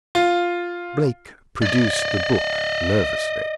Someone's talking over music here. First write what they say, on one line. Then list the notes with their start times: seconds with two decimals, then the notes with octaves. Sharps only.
Blake produced the book nervously.
0.15 F4
1.62 D5 D#5